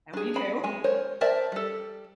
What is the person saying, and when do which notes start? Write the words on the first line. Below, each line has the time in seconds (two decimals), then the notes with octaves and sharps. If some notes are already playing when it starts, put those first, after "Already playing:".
And we do.
0.14 D4 G#4
0.36 B5
0.64 G#3 G#5
0.84 A#4 C5 C#5
1.21 A#4 C5 D5 E5 A5
1.52 G3 A4